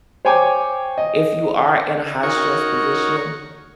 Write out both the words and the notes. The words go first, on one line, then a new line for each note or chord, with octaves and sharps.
if you are in a high stress position,
C5 C#5 G5 G#5 D6
D#5
D#4 F#4 A#4 C#5 C#6